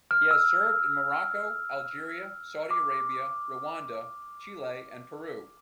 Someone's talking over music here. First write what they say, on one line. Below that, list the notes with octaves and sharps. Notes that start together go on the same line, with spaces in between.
He has served in Morocco, Algeria, Saudi Arabia, Rwanda, Chile and Peru.
F6
E6
D6